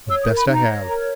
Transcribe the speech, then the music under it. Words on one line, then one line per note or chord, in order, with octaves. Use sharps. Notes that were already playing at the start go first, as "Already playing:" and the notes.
"The best I have."
C#5 E6
D#6
A#4
B5
D#4 A#5
C#5
A#4